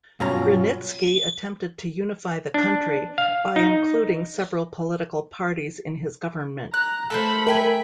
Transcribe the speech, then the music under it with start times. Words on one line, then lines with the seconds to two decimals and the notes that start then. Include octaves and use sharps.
Grunitzky attempted to unify the country by including several political parties in his government.
0.20 G2 B2 F#3 C#4 F4 A#5
2.54 D4
3.18 F5
3.56 D#4
6.74 A#5 F#6
7.10 A3 A4 A#4 C5 B5
7.47 A#4 E5 G5 G#5